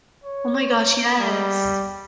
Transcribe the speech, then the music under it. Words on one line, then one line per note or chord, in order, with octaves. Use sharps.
Oh my gosh, yes.
C#5
G3